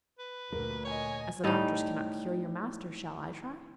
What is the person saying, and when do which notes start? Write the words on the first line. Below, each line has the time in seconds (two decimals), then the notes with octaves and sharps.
As the doctors cannot cure your master shall I try?'
0.19 B4
0.52 D2 A#2 A#4
0.85 C#5 D#5 G#5
1.44 A2 G3 D#4